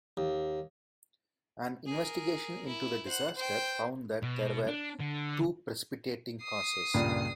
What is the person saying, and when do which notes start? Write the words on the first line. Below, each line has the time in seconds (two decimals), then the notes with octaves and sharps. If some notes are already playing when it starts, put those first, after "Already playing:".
An investigation into the disaster found that there were two precipitating causes.
0.17 D#2
1.86 G#4 A#4
2.67 E4
3.05 C5 F#5
3.35 C5 G5
4.23 B2
4.68 D4
5.00 D3
6.43 D#6 C7
6.94 C#2 G2 A#2